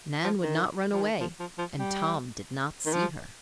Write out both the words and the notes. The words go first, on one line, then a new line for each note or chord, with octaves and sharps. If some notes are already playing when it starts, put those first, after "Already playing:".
Nan would not run away and Tom did not see her.
F3
D#3
F3
D#3
F3
F3
F3
G3
D#3
F3